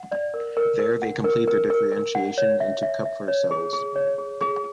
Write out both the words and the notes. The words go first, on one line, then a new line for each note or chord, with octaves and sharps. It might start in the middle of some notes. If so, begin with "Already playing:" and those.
There they complete their differentiation into Kupffer cells.
Already playing: F#5
D5
A#4
A#4
A#4
F#5
A#4
A#4
A#4
A#4
F#5
C#5
E5
E5
E5
C#5
G#4
G#4
C#5
G#4
G#4